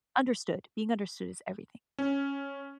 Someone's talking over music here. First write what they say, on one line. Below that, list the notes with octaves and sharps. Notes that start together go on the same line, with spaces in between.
understood, being understood is everything.
C#4